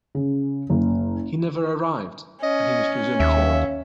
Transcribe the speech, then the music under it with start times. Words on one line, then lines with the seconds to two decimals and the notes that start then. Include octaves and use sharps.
He never arrived, and he was presumed killed.
0.15 C#3
0.70 F#1
2.43 C#4 D#5
3.20 D#2 E5